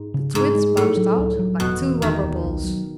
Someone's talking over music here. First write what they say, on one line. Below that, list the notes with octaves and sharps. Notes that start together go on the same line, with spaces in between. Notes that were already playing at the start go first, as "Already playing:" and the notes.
The Twins bounced out like two rubber balls.
Already playing: G#2
C#3
G#2 G#3
G#3
A2 A3
F#3
C#2
F#3
E1 B2
E3
E1 D#3
D#2
B1
F#3